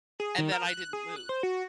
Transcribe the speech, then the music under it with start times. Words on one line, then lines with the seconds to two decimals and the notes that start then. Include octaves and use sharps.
and then I didn't move.
0.20 G#4
0.38 D#3
0.52 A#4
0.66 F#6
0.93 G#4
1.16 F#6
1.29 C5
1.43 F#4